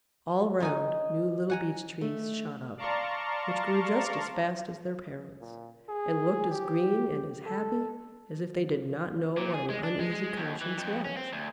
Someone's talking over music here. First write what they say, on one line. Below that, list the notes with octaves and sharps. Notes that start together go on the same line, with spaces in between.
All round new little Beech Trees shot up, which grew just as fast as their parents, and looked as green and as happy as if they did not know what an uneasy conscience was.
C#4 D#4 G#5
F#5 G#5 A#5
A3
D5 F5 A5 A#5 C6 C#6
A#2
G#4
G4
A4
A#2
G#4
G#3
D4
G#3
G#3
D#2
E3
F2
C#4
C4
D2